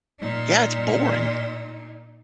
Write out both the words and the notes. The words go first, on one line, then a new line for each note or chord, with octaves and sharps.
Yeah, it's boring.
A#2 D#4